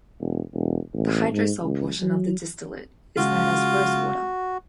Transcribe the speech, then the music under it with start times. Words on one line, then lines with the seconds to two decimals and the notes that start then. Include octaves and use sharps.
The hydrosol portion of the distillate is known as "rosewater".
0.20 E1
0.53 E1
0.93 A1
1.32 G#2
1.62 C#2
2.00 F#3
3.17 C#3 G#3 F4 F#4